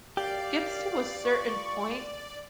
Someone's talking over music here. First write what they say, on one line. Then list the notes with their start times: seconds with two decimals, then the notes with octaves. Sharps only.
gets to a certain point
0.17 F#2 G4 D5 F5
1.24 F4 B5 C#6